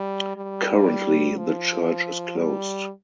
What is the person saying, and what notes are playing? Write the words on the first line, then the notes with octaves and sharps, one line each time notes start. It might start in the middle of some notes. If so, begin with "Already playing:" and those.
Currently the church is closed.
Already playing: G3
G3
F3
G3